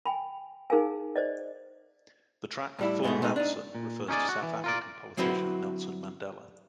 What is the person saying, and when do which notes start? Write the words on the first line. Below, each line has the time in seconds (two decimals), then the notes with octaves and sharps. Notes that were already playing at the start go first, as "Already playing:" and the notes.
The track "Full Nelson" refers to South African politician Nelson Mandela.
0.06 G5 G#5 B5
0.70 D#4 G#4 A#4 F5 G#5
1.16 C5 D5 D#5
2.79 A2 G3 E4
3.03 G#2 B2 E3 G#3 A3
3.22 A#2 G#3 A3 D#4
3.36 D4 D#4
3.75 A#2
4.08 C#4 D#4 G4 G#4 D5
4.29 F#4
4.43 E3
4.64 F4 A#4 D5
5.17 D3 F#3 C4 E4 F#4 B4